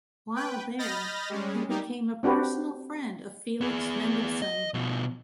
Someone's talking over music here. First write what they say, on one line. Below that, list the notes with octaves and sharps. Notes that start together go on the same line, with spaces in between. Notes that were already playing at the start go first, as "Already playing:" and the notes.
While there, he became a personal friend of Felix Mendelssohn.
B4 G5
D#5 B5 F6 G6 A6 A#6
G3 G#3 C#4
G3 A#3 D#4 G4
C4 D4 F#4 G4 B4
B3 G#4
D#5
B2 F3